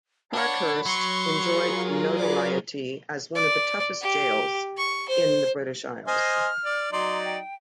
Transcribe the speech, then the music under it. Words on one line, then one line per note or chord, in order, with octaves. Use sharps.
Parkhurst enjoyed notoriety as one of the toughest jails in the British Isles.
D4 C#5 F#5 B5
F#3 C6 C#6
F4 G#4 A#4
B4 D5 D6
D5
G4
C#6
C5
C5 D#5 G#5 F6
D5
F#3 D#4 D5 C6
G5